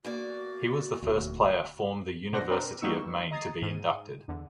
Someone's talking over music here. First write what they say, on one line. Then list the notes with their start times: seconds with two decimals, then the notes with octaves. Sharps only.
He was the first player form the University of Maine to be inducted.
0.05 E2 A#3 F#4 D5
1.03 D#1 D2
2.33 B2 D4 C5 F#5 A#6
2.50 C4 D4 A#4 B4
2.81 G3 A#3 B3 D#4 C#6 E6
3.31 D#5 A#5 D#6 G#6 A6 C7
3.62 G#2 D#7
4.28 E2 D3